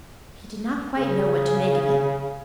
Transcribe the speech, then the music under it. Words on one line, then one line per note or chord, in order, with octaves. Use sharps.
He did not quite know what to make of it.
C#3 G#4